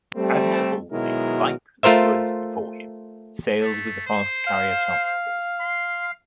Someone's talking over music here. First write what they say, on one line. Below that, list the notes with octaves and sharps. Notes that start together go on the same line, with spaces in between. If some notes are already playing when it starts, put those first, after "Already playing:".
Admiral Halsey, like Spruance before him, sailed with the Fast Carrier Task Force.
G3 A3 C4
B2 D#3 F#3 G#3 E4 A#4
A3 F4 A#4 C5 E5
A3
C5
F5
C6